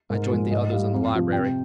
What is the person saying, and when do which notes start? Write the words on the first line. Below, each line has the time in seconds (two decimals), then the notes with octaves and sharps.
I joined the others in the library.
0.10 G#2 A#4
0.30 F3 G#3
0.51 G#2 D#5
0.72 G3 F5
0.93 F2
1.12 C3 F3
1.32 C3 G5